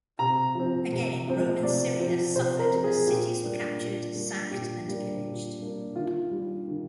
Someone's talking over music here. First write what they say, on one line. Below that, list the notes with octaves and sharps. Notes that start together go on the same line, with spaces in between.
Again Roman Syria suffered as cities were captured, sacked and pillaged.
C3 A#5
F3 C4
C3
F3 C4
C3 D5
F3 C4
C3 C5
A#4
F3 C4
G#4
A#2 G4
G3 A#3 D4
A#2
G3 A#3 D4
A#2 G4
G3 A#3 D4
A#2
G3 A#3 D4
D#3 F4
G3 D4
D#3